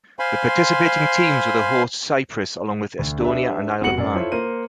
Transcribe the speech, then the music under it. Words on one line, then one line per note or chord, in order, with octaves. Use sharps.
The participating teams were the hosts Cyprus along with Estonia and Isle of Man.
C5 F5 G#5 B5 C6
D2
D4 G4 B4 E5
F1 B2 G3 F#4 C#7 F#7
F#2 D5
E4 F4 A4 C5 C#5 E5
A#3 A#4 C5 D#7